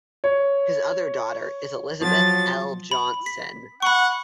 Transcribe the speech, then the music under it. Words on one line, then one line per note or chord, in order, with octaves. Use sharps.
His other daughter is Elizabeth L. Johnson.
C#5
F3 F#3 A6
B5
B6
F#5 B5 C#6